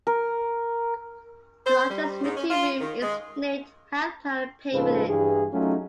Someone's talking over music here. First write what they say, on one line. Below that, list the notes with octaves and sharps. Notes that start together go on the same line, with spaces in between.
The largest meeting room is named Health Plan Pavilion.
A#4
C5
G3
G#2
C#4
F4
D#3
G#3
A#1 G#2 C#3 F4 A4 B4
G2 E3 G#4
F#3 A3 C#4 D#4 F4 F#4